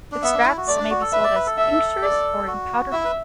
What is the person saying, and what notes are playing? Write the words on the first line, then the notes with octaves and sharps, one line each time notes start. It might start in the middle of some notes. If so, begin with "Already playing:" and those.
Extracts may be sold as tinctures or in powder form.
D4
B3 E5
D4
E4
F#4
A3 D5
D4
F#4
A4
B4 E5
D5
B4
A4
E5
D5
F#4
E4 E5
B4